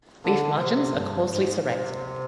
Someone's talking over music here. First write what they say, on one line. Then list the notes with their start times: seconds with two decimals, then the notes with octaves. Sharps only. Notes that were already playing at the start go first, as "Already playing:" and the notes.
Leaf margins are coarsely serrate.
0.24 D3
0.60 C3
0.95 G2
1.30 G#2
1.67 C3